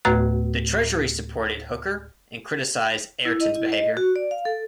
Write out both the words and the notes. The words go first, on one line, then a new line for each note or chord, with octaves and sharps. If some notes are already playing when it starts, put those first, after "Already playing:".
The Treasury supported Hooker and criticised Ayrton's behaviour.
D2 A2 A3 F#4 B4 F#6
E4
D#5
E4
D#5
F#4
D5
F5
A4